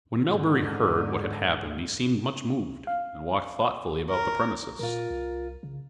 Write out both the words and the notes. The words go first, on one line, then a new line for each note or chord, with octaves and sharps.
When Melbury heard what had happened he seemed much moved, and walked thoughtfully about the premises.
G#2 D3
F5
A#4
A#2 F4 A#4
C2
C#3